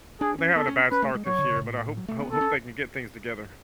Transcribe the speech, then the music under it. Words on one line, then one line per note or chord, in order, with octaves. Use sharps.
They're having a bad start this year, but I hope ho hope they can get things together.
D4 G#4
C#4
B3 A4
C#4
C#4 B4
A3
G#3
F#3 C#5
D3
C#3
G#2
A2
F#3
A3
B3
B3 A4
C#4